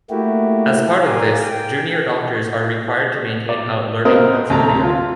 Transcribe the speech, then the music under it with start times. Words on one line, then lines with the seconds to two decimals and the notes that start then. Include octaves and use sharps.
As part of this junior doctors are required to maintain a "learning portfolio".
0.10 A3 A#3 E4 F#4 G4
1.06 G4 A#4 D5 F5 G#5
1.44 G5
3.49 D5
4.05 B3 C4 A#4 D#5 F5
4.50 D2 C3 A5 A#5
4.84 F4